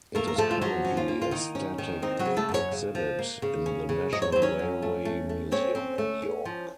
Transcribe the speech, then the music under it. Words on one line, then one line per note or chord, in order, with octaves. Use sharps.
It is currently a static exhibit in the National Railway Museum in York.
A3 A#3 A#4
A#4
F3 A3 A4
F4
F3 F#3 F#4
C#4
F4
A#3
F4
D#3 D#4
C#4
D#3
C4 D#4
F#3 F#4
C#3
A3 A4
F#2
C#4 C#5
C#3
F3
A#3
C#3
C#4
C#3
F#3 D#5
C#5
F#3 C5
C#4 C#5
F#2
A3
A3
A3
C4 C#4 C#5
C4
A3
C#4
F3